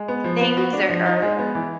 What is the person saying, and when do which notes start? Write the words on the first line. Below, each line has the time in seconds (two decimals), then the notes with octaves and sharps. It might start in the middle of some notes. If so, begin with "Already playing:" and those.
things or or,
Already playing: G#3
0.08 B3
0.24 F3
0.41 B3
0.57 F#4
0.73 D4
0.90 F3
1.06 D#4
1.22 G#3
1.39 B3
1.55 E3